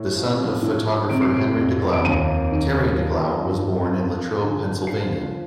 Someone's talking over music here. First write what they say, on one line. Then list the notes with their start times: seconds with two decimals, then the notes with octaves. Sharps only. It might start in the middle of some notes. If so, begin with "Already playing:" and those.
The son of photographer Henry Deglau, Terry Deglau was born in Latrobe, Pennsylvania.
Already playing: A2
0.15 F3
0.63 A2
1.10 C3 D7
1.22 C7
1.34 D7
1.57 F2
1.93 D7
2.05 D#2 D#7
2.52 D#3
2.99 F3
3.45 G2
3.93 F3
4.41 D3
4.87 F3 C7